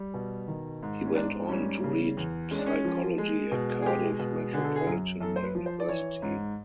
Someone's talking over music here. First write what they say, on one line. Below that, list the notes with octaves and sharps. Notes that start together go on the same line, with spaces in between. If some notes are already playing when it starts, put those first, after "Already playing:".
He went on to read Psychology at Cardiff Metropolitan University.
Already playing: G3
B2
D#3
G#2
C#4
G#2 D4
G3 C#4
C#3
E2
G#3 C#4
D4
C#4
F3
G#3
B2
G#4
G#3 G4
B2
D3 G#4
A4
G#4
F#2
F#2 A4
C5
B4
F3
C5
D5
E3 C#5
G#2